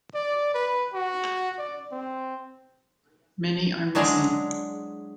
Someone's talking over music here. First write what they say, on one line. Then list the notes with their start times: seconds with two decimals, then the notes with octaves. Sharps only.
Many are missing.
0.15 D5
0.55 B4
0.94 F#4
1.59 D5
1.92 C4
3.95 F#3 G#3 D4 E4 F4 G#4